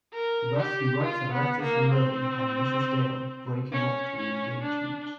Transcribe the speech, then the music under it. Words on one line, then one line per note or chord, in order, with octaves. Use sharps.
Thus he writes a letter to Lily and Mrs. Dale breaking off the engagement.
A#4
G4
F4
B3
A#3
C4
C#4
C#4
D4